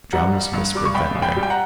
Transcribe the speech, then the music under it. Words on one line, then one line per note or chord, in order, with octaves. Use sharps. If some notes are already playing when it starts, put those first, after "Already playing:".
"Drums," whispered Ventnor.
G3 F#5 A#5
G2
G2
G3 D6
C#6
C#2 G5 B5
C#2
G5 B5
G3
G5
F#5 A#5